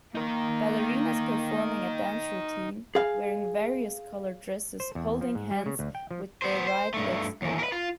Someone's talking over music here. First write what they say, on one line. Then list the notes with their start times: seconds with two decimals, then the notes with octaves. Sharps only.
Ballerinas performing a dance routine wearing various colored dresses holding hands with there right legs held up.
0.15 A#3 D#4 A#4
2.95 G#4 F5
4.80 C5
4.95 E2
5.21 F3
5.35 G#2
5.51 G3
5.66 C#3
5.79 D2
5.95 G5
6.11 F3
6.42 B3 C5
6.67 C5
6.94 G2 A3
7.42 D#2 E3
7.59 A#4 B4
7.72 F4